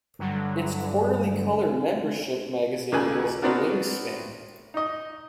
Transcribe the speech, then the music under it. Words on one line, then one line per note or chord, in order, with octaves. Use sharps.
Its quarterly colour membership magazine was "Wingspan".
G2 D3 F#3
D#2 C#3 A3 G#4 B4 G#5
B3 C4 D4 F#4 A#4
D#4 D#5